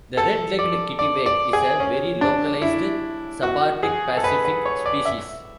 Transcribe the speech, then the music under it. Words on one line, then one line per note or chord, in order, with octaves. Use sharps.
The red-legged kittiwake is a very localised subarctic Pacific species.
A4
D5
D5
D5
G#4
C#4
D4
E4
F#4
G#4
A4
B4
B4
C#5
D5
E5